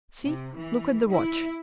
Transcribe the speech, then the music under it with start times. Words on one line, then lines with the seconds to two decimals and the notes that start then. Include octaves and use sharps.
See, look at the watch.
0.23 C3
0.57 E3
1.11 E4